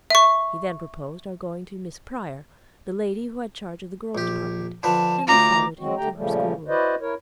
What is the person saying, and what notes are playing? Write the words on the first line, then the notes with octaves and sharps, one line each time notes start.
He then proposed our going to Miss Prior, the lady who had charge of the girls' department, and we followed him to her school-room.
E5 C#6
A#1 G4
D3 F3 B4 A5
D2 F4 A#5 D6
F#3 G#3 C4 F#4
D3 A3 G4 G5 A#5
A#2 C#3 F3 G3 A3
E4 F#4 B4 C5 D5 D#5
E4 A#4 C#5